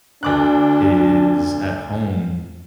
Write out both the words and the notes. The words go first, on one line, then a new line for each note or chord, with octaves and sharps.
is at home,
D2 D4 D6 F#6